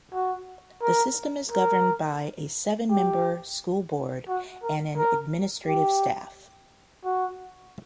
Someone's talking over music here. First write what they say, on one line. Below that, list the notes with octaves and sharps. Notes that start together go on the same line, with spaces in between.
The system is governed by a seven-member school board and an administrative staff.
F#4
A#4
A#4
G4
F#4
A#4
A#4
G4
F#4